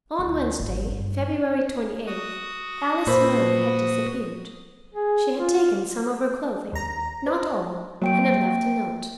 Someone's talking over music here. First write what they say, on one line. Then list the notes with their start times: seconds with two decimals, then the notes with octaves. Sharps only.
On Wednesday, February twenty-eighth, Alice Murray had disappeared. She had taken some of her clothing--not all, and had left a note.
0.19 D2
0.60 G#1
0.86 G2
2.07 F#4 D#6
3.07 A#2 A4 B4 C5
4.94 G#4
5.37 F4
6.73 D#2 A#5
7.27 C5
8.02 F#3 A#3 G5 D7